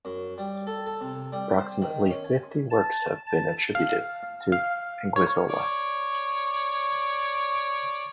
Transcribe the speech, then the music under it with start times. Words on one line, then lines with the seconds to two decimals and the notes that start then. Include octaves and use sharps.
Approximately fifty works have been attributed to Anguissola.
0.05 F#2
0.38 G3
0.67 A4
0.86 A4
1.01 C3
1.32 G3
1.59 C5
1.82 D#3
2.10 C#4
2.24 G#5
2.71 A5
3.27 A5
3.75 F5
4.52 F5
5.16 C#5
5.50 C#5 D5